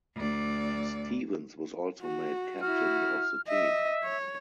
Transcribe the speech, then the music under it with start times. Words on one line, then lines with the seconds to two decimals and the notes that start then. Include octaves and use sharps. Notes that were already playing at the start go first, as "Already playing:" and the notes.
Stevens was also made captain of the team.
0.16 D2 D5
2.01 F#4
2.61 E4 F#4 F6
3.48 D#5 E5
4.03 C#5